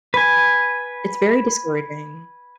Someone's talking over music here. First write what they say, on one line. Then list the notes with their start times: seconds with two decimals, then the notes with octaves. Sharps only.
It's very discouraging.
0.14 B4 G#5